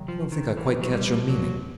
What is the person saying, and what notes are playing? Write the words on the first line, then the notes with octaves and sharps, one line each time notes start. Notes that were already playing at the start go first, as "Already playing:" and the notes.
I don't think I quite catch your meaning.
Already playing: C3 D#3 F#3 A#3
F3
D#3
C3 E3 F3 A#3
F#3
G3
F#3